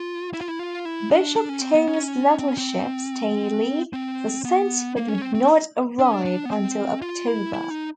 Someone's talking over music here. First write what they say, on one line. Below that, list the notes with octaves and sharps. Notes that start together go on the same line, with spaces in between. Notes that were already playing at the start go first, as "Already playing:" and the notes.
Bishop Thomas Nettleship Staley was sent but would not arrive until October.
Already playing: F4
E4
F4
E4
F4
E4
D4
D4
C#4
C4
B3
C#4
C4
C#4
C4
C4
B3
A#3
C#4
C4
C4
D4
C#4
D4
D4
B3
C4
F4
E4
E4
D#4